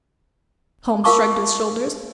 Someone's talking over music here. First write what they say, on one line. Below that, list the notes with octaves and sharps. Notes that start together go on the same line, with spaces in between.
Holmes shrugged his shoulders.
F4 A#4 F5 A5 C#6 D6